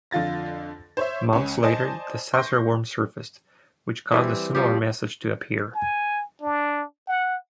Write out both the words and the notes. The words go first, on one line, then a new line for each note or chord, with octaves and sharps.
Months later, the Sasser worm surfaced, which caused a similar message to appear.
F2 D3 F4 A6 A#6
C5 C#5 E5
C#2 C#4
C5 D5 D#5 G#5 A5 A#6
C6 C#6 G6 A#6
E3 G3 C4
F3 G3 G4
G#5
D4
F#5